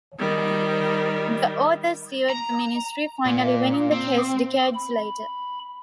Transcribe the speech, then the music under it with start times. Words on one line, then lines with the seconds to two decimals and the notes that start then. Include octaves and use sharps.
The author sued the Ministry, finally winning the case decades later.
0.19 D#3 G3
2.30 A#5
3.25 A#2
3.92 C4
4.74 B5